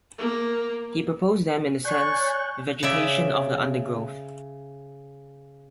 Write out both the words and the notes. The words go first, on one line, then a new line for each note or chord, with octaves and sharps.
He proposed them in the sense "Vegetation of the undergrowth".
A#3
C#5 D5 G#5 C#6 F#6 G6
C#3 D5 E5